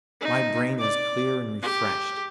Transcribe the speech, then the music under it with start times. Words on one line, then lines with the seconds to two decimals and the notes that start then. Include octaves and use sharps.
My brain was clear and refreshed.
0.21 D#4
0.78 D5 D6
1.63 G4